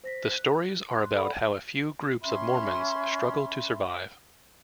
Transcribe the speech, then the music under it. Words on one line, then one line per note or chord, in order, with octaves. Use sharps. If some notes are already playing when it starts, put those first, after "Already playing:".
The stories are about how a few groups of Mormons struggle to survive.
C5 A#6 B6
F#6
C6 F#6
A4 D5 F#5 B5
C#4 E5 B5 C6